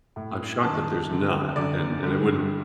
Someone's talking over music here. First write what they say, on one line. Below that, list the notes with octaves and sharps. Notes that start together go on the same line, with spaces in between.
I'm shocked that there's not, and and it wouldn't
A2
F#2 D#3 A5
F#2 D3
F#2 D3 D5
G2 D3